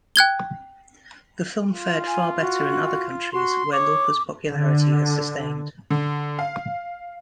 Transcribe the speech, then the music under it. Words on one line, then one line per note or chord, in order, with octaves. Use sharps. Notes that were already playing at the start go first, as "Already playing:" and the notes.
The film fared far better in other countries where Lauper's popularity has sustained.
G5 F#6 G#6 G7
F4
G#5
F#4
F#4 C6
C#5 D6
D3
D3
F5